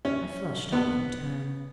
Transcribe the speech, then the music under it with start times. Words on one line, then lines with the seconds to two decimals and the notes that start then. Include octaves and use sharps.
I flushed up in turn.
0.05 C#4
0.73 B3